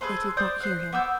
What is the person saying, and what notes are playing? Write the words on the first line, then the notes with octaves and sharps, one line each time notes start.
They did not hear him.
G#4 A4 B4 C5
C5 D5 D#6 G6
C5 F#6
B3 D6 E6 G6